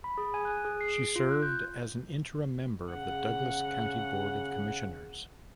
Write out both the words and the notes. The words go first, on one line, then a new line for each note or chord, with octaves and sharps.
She served as an interim member of the Douglas County Board of Commissioners.
B5
G#4
G#5
F#6
G#4
C7
D7
F4
F#6
G6
C#3 F#5